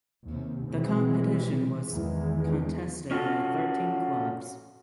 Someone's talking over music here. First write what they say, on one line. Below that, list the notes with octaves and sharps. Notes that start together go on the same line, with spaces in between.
The competition was contested by thirteen clubs.
D#2 C3
B2 E3 F#3 G#3 C4
E2 D#3 E3 G#3
C#4 F4 F#4 A4